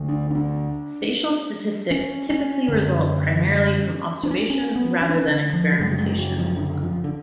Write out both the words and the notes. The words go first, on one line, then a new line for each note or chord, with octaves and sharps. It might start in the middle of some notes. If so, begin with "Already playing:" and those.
Spatial statistics typically result primarily from observation rather than experimentation.
Already playing: D2 D3
D4
C#4
D4
C#4
C#4
F#2 D3
D4
C#4
D4
C#4
B3
C#4
D4
C#4
D3
F3
F#3
F#2 C#3 G#3
F#3
G#3
F#3
F3
D3
F3
D3